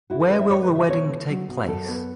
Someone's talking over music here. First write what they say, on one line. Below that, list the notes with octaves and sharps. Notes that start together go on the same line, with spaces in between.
Where will the wedding take place?
E4 F#4
A4
C#4 B4
E5
A3 C#5
B4
C#3
E5
B2 C#5
A3
F#3
B2
F#2 A4
B3